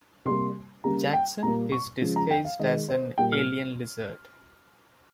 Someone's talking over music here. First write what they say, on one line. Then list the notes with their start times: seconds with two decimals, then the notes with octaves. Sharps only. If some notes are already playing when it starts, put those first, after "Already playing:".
Jackson is disguised as an alien lizard.
0.25 C3 G3 A#3 C6
0.84 C#3 G3 A#3 A#5
1.14 G5
1.43 A#2 G3 A#3 A#5
1.72 C#6
2.01 C#3 F3 G#3
2.16 A#5
2.31 G5
2.45 F5
2.59 D#3 G#3 D#5
2.89 C5
3.18 A#2 G3 A#3 G5
3.32 F6